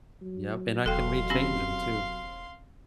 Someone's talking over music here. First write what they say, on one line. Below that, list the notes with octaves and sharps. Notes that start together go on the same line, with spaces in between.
Yep, and I can rechange ‘em too.
F#3
E1 A4 F5 G5 C6
C4 C#4 G4